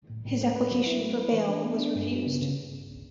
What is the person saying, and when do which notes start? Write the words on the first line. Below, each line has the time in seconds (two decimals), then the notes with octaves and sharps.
His application for bail was refused.
0.10 A2
0.25 A2
0.40 A3
0.56 B4
0.71 F#3
0.86 E4
1.02 A3
1.18 B4
1.33 E3
1.49 D4
1.65 B3
1.80 D4
1.96 G2
2.11 B3
2.26 C#3
2.42 C#3